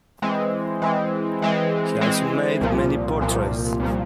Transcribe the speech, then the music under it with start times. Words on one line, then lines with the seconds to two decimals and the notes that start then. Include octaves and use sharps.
He also made many portraits.
0.22 E3 G#3 C4
0.82 E3 G#3 C4
1.42 E3 G#3 C4
2.01 E3 G#3 C4
2.61 C2 A#2 F3
3.21 C2 A#2 F3
3.80 C2 A#2 F3